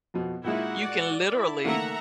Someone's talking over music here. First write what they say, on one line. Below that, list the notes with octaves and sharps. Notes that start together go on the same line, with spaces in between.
you can literally
F2 B2
A#2 G#3 A#3 D#4 E4 F#4 F#5
D5
E4
D#3 A3 A#3 E5 F#5 A#5